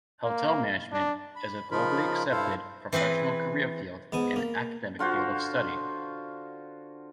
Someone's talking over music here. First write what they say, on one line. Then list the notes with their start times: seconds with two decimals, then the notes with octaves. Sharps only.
Hotel management is a globally accepted professional career field and academic field of study.
0.25 A#3
0.92 D4
1.36 B5
1.71 C#3 F3 D#4 F4 A#4 B5
2.31 G2 E4 A4 C5 F5
2.92 E3 C4 G#4 B4
4.12 G#2 B3 G#5
4.36 A#3
4.99 D3 F4 F#4 C5